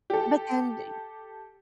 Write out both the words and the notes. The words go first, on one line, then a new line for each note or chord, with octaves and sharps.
But then, d
G4 A4